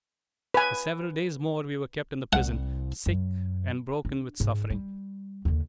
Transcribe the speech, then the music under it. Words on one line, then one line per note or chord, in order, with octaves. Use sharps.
For several days more we were kept in the prison, sick and broken with suffering.
B4 G#5
C2 F#5
F#2
D4
G#2
G3
D#2 D3